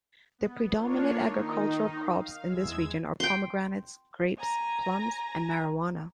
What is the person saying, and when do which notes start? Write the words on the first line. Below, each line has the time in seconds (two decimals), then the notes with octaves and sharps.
The predominate agricultural crops in this region are pomegranates, grapes, plums, and marijuana.
0.38 B3
0.75 A#3 D4 F4 C#5
1.25 D#3 D#4
2.15 F5
2.48 E2 G#3 E6 G#6
3.20 G5 C6
4.38 G#5 A#5 A#6